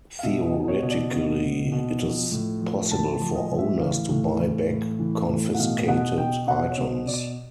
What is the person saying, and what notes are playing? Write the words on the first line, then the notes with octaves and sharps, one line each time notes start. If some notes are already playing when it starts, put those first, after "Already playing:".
Theoretically, it is possible for owners to buy back confiscated items.
F5
B2 E5
D#5
B2
C#5
B2
D5
B2 D#5
B2
B2
F3
A2
F3
A2 A5
A5
F3
D#5
A2
E5
E3 F5
A2
E3
A2
E3
A2
F#5
B2 F5
B2 F#5
B2 G5
B2 F#5
C#5
B2 C5
B2 D5